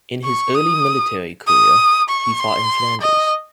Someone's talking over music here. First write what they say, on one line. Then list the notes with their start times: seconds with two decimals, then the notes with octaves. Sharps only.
In his early military career, he fought in Flanders.
0.24 C#6
0.54 D#6
1.47 D#6
2.08 C#6
2.39 C6
3.01 D#5